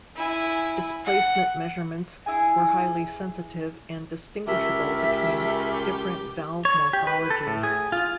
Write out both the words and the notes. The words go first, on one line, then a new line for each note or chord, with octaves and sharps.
Displacement measurements were highly sensitive and distinguishable between different valve morphologies.
E4 G#5
F#5
E4 G#4 G#5
C#2 G4 A#4 E5
C#5
G4
B4
A4
A2
G#4
F4